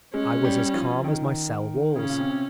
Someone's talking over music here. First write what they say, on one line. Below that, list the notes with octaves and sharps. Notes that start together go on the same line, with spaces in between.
I was as calm as my cell walls.
G#3 C#4
G3
G3
F3
D#3
C#3 C#4
A#2
C3
C3